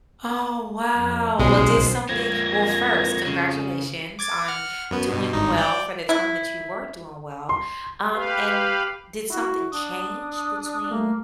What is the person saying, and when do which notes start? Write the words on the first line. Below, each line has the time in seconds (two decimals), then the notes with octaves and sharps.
Oh, wow, well, did something well, first, congratulations on doing well for the time that you were doing well, um, and did something change between
0.95 F2
1.39 B1 B2 G#3 C#4 C5
2.09 F2 A#3 C4 G#6 A#6
3.26 C#3
4.19 D6 G#6 A6
4.48 F#5 F6
4.91 F#2 B3
5.09 G2 B2
5.33 G#1 G2 D#4
5.57 D5 G5
6.09 E4
7.49 C6
8.13 G4 B4 F5
9.30 E4 F#4
9.72 D4 D#6
10.91 A3 A#3